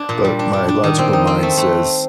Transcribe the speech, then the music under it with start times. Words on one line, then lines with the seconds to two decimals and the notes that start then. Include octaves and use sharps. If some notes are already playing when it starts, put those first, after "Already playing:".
But my logical mind says,
Already playing: D4
0.09 A#2
0.24 G3
0.39 D4
0.53 D4
0.68 D4
0.84 D#3
0.99 C4
1.13 D#4
1.27 C4
1.43 A3
1.57 A3